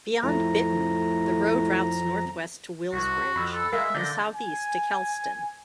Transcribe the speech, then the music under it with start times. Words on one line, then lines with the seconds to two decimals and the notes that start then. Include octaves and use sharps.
Beyond Bitton the road routes north-west to Willsbridge and south-east to Kelston.
0.23 F2 A2 A#5
2.93 C2 F#4
3.36 F2 B5 E6 F#6
3.54 A4
3.73 G#3 A#4 E5 F5
3.95 D3 D5 G6 A#6
4.34 G#5